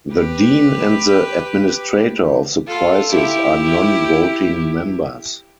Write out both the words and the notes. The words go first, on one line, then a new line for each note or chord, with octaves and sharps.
The dean and the administrator of the prizes are non-voting members.
G4 B4
F4 A4
E4 G4